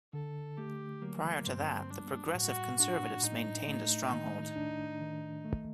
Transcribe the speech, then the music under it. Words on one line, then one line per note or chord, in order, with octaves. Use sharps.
Prior to that, the Progressive Conservatives maintained a stronghold.
D3 A4
A3 G4
F#3 A#3
G2 C4
G3 D4
A2 F#4
D4 F#4
A2 D#4
A3
D#3
D4
D#3
A3